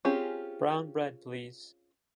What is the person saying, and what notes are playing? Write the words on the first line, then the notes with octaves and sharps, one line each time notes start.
Brown bread, please.
C4 C#4 F4 G4 G#4